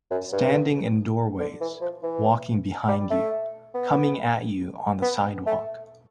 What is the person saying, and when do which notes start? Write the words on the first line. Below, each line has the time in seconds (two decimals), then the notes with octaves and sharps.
Standing in doorways, walking behind you, coming at you on the sidewalk.
0.11 F#2
0.32 G2
1.39 D3
1.61 E3
1.81 F3
2.03 E3
2.88 G3
3.10 A3
3.75 B3
5.02 B3
5.46 A3